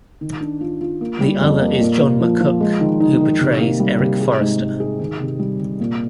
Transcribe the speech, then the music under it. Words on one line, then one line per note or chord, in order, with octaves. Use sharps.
The other is John McCook, who portrays Eric Forrester.
D#3
D4
F4
F4
A#3
G3
F2
A#3
A#2
A#3
F3
F3
G#3
D#3
D#4
D#3
C3
A#3
G3
C3
G#4
G#2
G#2
G#4
D#3
C3
G3
C3
A#2